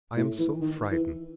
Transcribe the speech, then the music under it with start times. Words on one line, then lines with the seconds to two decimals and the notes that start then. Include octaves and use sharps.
I am so frightened.
0.17 A2
0.39 E3
0.61 D#3
0.91 E3